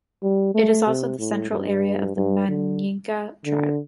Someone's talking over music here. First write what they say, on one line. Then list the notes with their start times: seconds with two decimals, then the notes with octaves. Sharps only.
It is also the central area of the Manyika tribe.
0.23 G3
0.55 A3
0.87 C3
1.19 A2
1.52 G2
2.16 G2
2.49 D3
3.46 D3